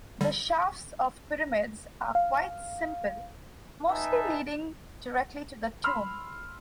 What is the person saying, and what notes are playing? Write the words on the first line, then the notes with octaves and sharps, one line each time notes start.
The shafts of pyramids are quite simple, mostly leading directly to the tomb.
D3 G3
F5
D#4 B4 E5 G#5 A5
B5 C6 E6 F6